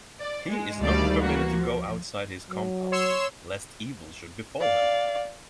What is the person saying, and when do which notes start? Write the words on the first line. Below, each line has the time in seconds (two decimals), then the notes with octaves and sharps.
He is not permitted to go outside his compound, lest evil should befall him.
0.19 D5
0.49 G#3
0.82 D2 D#3 G3 A3 D5 F5
1.21 E3 A#3 F#4
1.54 F3
2.50 F#3
2.92 C#5 C6 E6
4.60 D5 F5